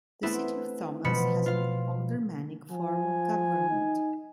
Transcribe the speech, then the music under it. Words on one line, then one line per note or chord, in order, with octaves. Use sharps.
The city of Thomas has an aldermanic form of government.
A3 B3 C4 E4
B2 F3 B5 C#7
F4 F5
F3 G#5
D#4